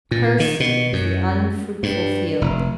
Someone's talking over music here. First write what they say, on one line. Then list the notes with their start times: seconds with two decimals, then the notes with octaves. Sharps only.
"Cursed is the unfruitful field!"
0.11 A#2
0.40 D#3
0.60 B2
0.93 F#2
1.83 G2
2.41 F1